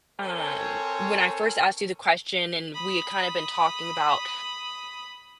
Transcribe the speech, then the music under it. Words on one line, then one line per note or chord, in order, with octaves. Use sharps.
Um, when I first asked you the question and we had kinda been talking about
C4 A4 A#4 C5 C#5 G#5
B5 D#6